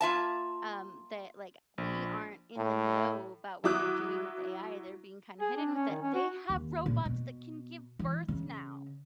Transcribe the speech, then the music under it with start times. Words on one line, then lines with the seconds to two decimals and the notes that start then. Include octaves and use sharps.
um, that, like, we aren't in the know about what they're doing with AI, they're being kinda hidden with it" they have robots that can give birth now,
0.01 A#3 F4 E5 A5
1.78 A#1
2.57 A2
3.64 F#3 E4 D6 D#6 F#6
5.41 G#4
5.57 D4
5.75 C#4
5.90 D#3
6.02 C#4
6.14 F#4
6.49 D#2
6.86 A#2
7.05 B2
7.99 E3
8.28 C#3